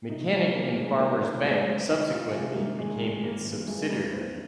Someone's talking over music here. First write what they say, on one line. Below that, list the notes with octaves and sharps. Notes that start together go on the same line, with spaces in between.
Mechanic and Farmers Bank subsequently became its subsidiary.
C3 D#4
D2 C4
D#3 A#3
D2 G#3
D#3 A#3
C3 A#3
D2 G#3
D2 C4
D2 D#4
D#3 F4
C3 G#3
D#3 A#3
D#3 G#3
G#1
G#1 A#3
G2
G2 G#3
G2 A#3
G2 C4